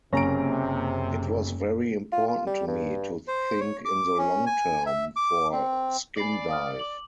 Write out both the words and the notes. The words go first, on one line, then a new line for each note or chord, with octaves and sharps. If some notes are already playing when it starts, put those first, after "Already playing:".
It was very important to me to think in the long-term for Skindive.
F#1 F#2 C3 A#3 C#4 A#5 A#6 D7
F4
F4
G3
G2
C5
C#5
D6
C#4
G#5
E5
D6
C4
D5 G#5 B5 C7
F5 D#6 F6
D6 F#7